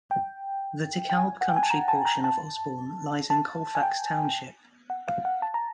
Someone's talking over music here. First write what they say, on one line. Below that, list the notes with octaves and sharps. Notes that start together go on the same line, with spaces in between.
The DeKalb Country portion of Osborn lies in Colfax Township.
G5
G5
G#5
F#5
G5
G#5
A5
A#5
A5
A#5
A5
A5
G#5
G5
F#5
F5
F#5
A5
A#5